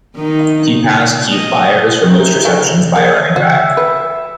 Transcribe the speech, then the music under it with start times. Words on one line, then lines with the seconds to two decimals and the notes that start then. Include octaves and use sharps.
He passed Keith Byars for most receptions by a running back.
0.16 D#3 D#4
0.71 A#2
1.32 D#5
2.04 D#4 E4 G5
2.45 F3 G#3 A3
2.96 A#3 G#4
3.36 F#4 E5
3.77 B4